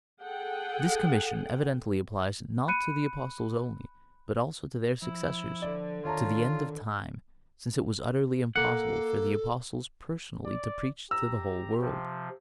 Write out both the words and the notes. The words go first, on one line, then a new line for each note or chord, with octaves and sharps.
This commission evidently applies not to the Apostles only, but also to their successors, to the end of time, since it was utterly impossible for the Apostles personally to preach to the whole world.
G#4 A4 F#5 G5
B5 F#6 C#7 D#7
F3 E4
D3 D5
D#3 F4 C#5 A5 A#5
A#3 A4 F#5
D5
G4 A#5 E6
C3 F3